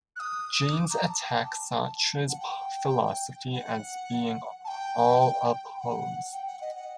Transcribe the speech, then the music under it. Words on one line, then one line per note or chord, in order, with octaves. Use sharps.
James attacks Sartre's philosophy as being "all a pose".
F#6
D#6
D6
A#5
A5
G5
A5
F#5
G5
F#5
A5
G5
G5
F#5
G5
F#5
D#5
F#5